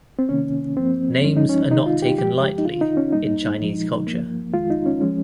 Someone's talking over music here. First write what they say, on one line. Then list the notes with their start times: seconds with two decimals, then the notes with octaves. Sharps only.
Names are not taken lightly in Chinese culture.
0.19 C4
0.29 C3 D#3 A#3 C#4
0.76 G2 F3 A#3 C4
1.23 G2 F3 G#3 C#4
1.37 D#4
1.49 C#4
1.71 C3 D#3 G#3 D#4
1.86 F4
2.02 G4
2.18 G2 F3 G#3 G4
2.58 D#4
2.65 F2 C3 D#3 F4
2.81 D#4
2.97 C#4
3.12 G2 G3 A#3 D#4
3.60 A#2 F3 G#3
4.07 G2 F3 A#3
4.53 F2 D#3 G#3 F4
4.70 D#4
4.86 C#4
5.01 F3 G#3 C#4